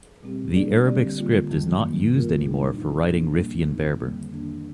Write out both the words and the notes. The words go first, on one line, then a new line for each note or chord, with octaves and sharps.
The Arabic script is not used anymore for writing Riffian Berber.
A#2 G3 C4 G4
G3 A#3 D4 G#4 D5
D3 G3 C4 G4 D5
D3 G3 A#3 F4
F2 D#3 G3
G2 D#3 A#3
C3 G3 A#3 F4 A#4
A#2 G3 D4 G#4
F3 G#3 D#4
A#2 F3 A#3 D4
A#2 G3 A#3
F2 D#3 G#3 C4 D#4
F2 D3 G3 A#3
F2 D#3 A#3 D4